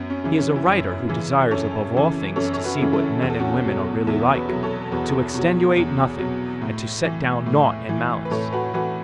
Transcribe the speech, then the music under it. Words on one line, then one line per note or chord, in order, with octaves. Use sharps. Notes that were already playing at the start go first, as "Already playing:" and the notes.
He is a writer who desires above all things to see what men and women are really like--to extenuate nothing and to set down naught in malice.
Already playing: F#2 B3
C#4
C#3 E3
C#4
E4
F#2 C#4
C#3 E3
F#2 A4 C#5
C#3 E3
F#2 A4 C#5
C#5
F#4 B4
C#3 E3
E4 A4
E2 F#4
A4
C#4 F#4
B2 F#3
E2 E4 A4
F#4 B4
B2 F#3
A4 C#5
E2 F#4 B4
B2 F#3
E2
B2 F#3
A2
E3
A2
E3
B4
A2 A4 C#5
F#4 B4
E3 F#4 B4